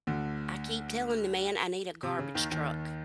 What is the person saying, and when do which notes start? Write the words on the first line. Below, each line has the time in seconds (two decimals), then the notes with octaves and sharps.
I keep telling the man I need a garbage truck,
0.07 D2 D3
2.03 C3
2.19 C#3
2.34 D#2 D#3
2.51 D#2 D#3